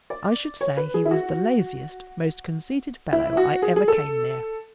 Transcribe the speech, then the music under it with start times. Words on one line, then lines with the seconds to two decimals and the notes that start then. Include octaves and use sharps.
I should say he was the laziest, most conceited fellow I ever came near.
0.10 D5
0.61 C#5
0.77 B4
0.94 G#4
1.05 E4
1.11 F#4
3.12 E4
3.37 F#4
3.62 G#4
3.76 G#4
3.88 A4